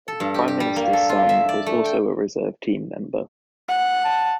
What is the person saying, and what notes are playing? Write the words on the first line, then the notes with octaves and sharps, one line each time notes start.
The Prime Minister's son was also a reserve team member.
A4
G2
G4
G4
G3
A#3
A4
F4
E5
D5
A3
G5
F#5
A5